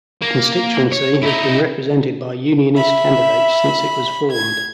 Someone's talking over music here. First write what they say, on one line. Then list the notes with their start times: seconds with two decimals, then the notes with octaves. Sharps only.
The constituency has been represented by Unionist candidates since it was formed.
0.22 A#3
0.92 C#5
1.22 D#4 E4
2.76 E5 B5
4.31 G#6